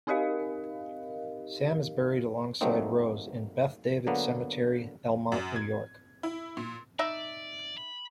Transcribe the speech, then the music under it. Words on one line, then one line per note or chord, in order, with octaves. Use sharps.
Sam is buried alongside Rose in Beth David Cemetery, Elmont, New York.
C4 D#4 G4 A#4 D#5 F5
F#3 G3 A3 A#3 C4 D#4
D3 F#3 A#3 B3
F#2
G#6
E4
A#2
D#4 D5 E5
B5